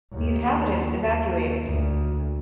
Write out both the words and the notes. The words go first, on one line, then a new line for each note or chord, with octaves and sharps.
The inhabitants evacuated.
D#2
D#2
D2